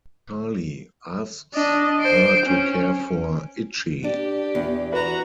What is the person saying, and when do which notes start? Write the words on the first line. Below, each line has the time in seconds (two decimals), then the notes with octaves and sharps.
Charlie asks her to care for Itchy.
1.54 D4 D#5
2.01 C5 D7
2.46 C#4
4.04 D4 G4
4.55 E2
4.92 F#4 B4 A#5